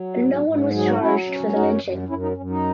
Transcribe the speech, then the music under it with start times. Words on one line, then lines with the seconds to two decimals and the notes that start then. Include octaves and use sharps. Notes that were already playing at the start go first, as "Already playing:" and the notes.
No one was charged for the lynching.
Already playing: F#3
0.16 G#2
0.44 G#2
0.71 F#3 G#4
0.87 F#4
0.98 F#3 C#4 E4
1.27 C#4
1.53 F#2 D#4 F#4
1.82 F#2
2.08 F#2 C#4 E4
2.22 D#4
2.37 F#2 C#4
2.50 D#4